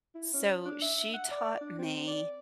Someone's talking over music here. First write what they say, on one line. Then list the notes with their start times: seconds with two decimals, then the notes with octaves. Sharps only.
so she taught me
0.15 E4
0.34 C#4
0.65 D4
0.82 E5
1.14 F#5
1.31 D5
1.61 D4
1.78 C4
2.07 D5